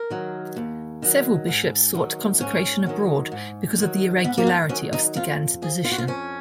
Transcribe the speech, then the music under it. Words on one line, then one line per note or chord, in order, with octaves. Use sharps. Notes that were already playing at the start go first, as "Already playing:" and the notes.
Several bishops sought consecration abroad because of the irregularity of Stigand's position.
Already playing: A#4
D#3 F#3
D#2
D#3 F#3
G#2
D#3 F#3
G#2 C#4
D#3 F#3
G#2
D#3 F#3
G#2 B3
A#3
B3
D#3 F#3 C#4
D#4
F2 F4
F3 G#4
F4
F#4
F4
F2 C#4